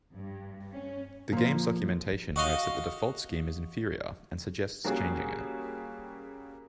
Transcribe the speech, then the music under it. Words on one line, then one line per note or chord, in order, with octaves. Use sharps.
The game's documentation notes that the default scheme is inferior, and suggests changing it.
G2
C#4
A#2 F3
F#4 D#5 F5
G3 A#3 C#4 F#4 G#4